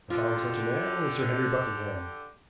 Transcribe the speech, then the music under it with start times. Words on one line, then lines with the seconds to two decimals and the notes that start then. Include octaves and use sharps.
I found such a man in Sir Henry Buckingham.
0.10 D3 F4 G4